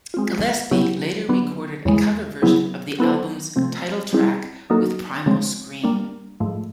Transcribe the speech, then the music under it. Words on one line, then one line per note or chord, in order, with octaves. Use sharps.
Gillespie later recorded a cover version of the album's title track with Primal Scream.
G#3 C4 F4
C#3 F#3 B3 E4 G4
D3 F#3 B3 D4
E2 C#3 E3 G#3
C#3 F#3 B3 E4 G#4
F#3 B3 E4 A4 C5
C3 F3 A3 C4
G3 C4 E4 G#4
F#3 A#3 D#4 F#4 A4
C#3 F3 G#3 C4
G3 A#3 D4
G#2 F3 A3